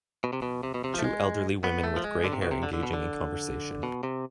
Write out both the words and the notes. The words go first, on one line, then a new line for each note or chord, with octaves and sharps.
Two elderly women with gray hair engaging in conversation.
B2
C3
B2
C3
B2
C3
F3 A3
G#3
B3
A3
F3
G#3
D3
C3
B2
C3
D3
D3
B2
D3
B2
C3